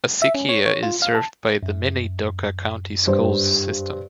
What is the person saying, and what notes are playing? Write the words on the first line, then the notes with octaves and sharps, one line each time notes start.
Acequia is served by the Minidoka County Schools system.
E5
C#4
C#5
C#5
F4
F5
A5
F#2
G2 C5